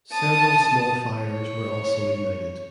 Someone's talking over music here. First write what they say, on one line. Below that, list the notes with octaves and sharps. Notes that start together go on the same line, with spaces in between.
Several small fires were also ignited.
A5 D#6
C#5